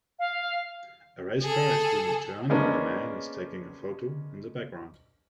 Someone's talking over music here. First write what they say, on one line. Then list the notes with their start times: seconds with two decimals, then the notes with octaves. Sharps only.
A race car is doing a turn while a man is taking a photo in the background.
0.19 F5
1.42 G#4 A4
2.50 C#3 G#3 A#3 B3 C#4 D4